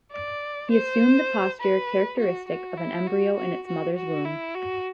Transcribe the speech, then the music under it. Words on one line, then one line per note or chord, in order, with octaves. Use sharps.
He assumed the posture characteristic of an embryo in its mother's womb.
D5
C5
B4
F#4
F#4
E4
F#4
F#4
F#4
F#4
E4
F#4